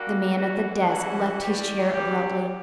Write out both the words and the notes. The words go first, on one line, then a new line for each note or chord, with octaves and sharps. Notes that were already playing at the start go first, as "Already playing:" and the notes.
The man at the desk left his chair abruptly.
Already playing: G3 A#3 D4 F#4
E3 G3 C#4 F#4
E3 G3 C#4 F#4
E3 G3 C#4 G4
E3 G3 C#4 G4